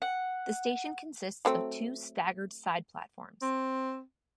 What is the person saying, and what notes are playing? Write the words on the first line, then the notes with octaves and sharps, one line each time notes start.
The station consists of two staggered side-platforms.
F#5
F#3 A3 C4
C4